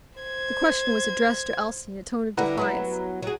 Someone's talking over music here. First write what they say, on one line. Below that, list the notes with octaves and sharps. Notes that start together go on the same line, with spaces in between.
The question was addressed to Elsie in a tone of defiance.
C5 G#6
D3 G3 E4 B4 F#5 A#5
F#3 B3 E4
F#3 G#4